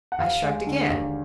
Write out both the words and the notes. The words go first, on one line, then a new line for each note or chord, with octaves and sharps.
I shrugged again.
F#5
D#2 F5
G#3
D3
D#2